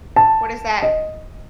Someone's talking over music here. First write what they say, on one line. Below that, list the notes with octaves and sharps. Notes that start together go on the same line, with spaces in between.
what is that?
A5
D#5